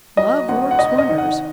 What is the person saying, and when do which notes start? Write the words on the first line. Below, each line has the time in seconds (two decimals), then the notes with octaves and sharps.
Love works wonders.
0.17 F#3 D#5
0.49 D2 F#5
0.71 F#5
0.79 C3 D#5
0.98 D#5
1.09 D#3
1.18 F#5